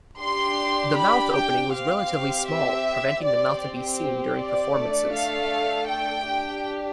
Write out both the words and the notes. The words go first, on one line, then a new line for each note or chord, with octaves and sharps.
The mouth opening was relatively small, preventing the mouth to be seen during performances.
D4 G4 C6
B5
G5
C4 G4 F5
E5
C4 G4 D5
D5
A3 D4 A4
F5
G5
D4 G4